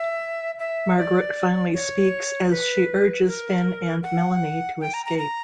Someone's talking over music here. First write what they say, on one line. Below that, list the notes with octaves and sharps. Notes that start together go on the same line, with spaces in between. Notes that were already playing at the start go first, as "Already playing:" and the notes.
Margaret finally speaks as she urges Finn and Melanie to escape.
Already playing: E5
E5
D5
C#5
B4
A#4
F#5
G5
A#5
A#5
A#5